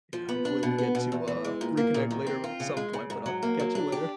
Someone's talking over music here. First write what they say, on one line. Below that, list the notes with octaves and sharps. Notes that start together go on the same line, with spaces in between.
Yeah, hopefully, we get to, uh, reconnect later at some point, but I'll catch you later.
F3
B3
D4
B2
B3
B2
E2
E3
G#3
A#2
A#3
A#2
D#3
C4
F4
C#3
G#3
C#3
G#2
F#3
A#3
F#3
D4
G4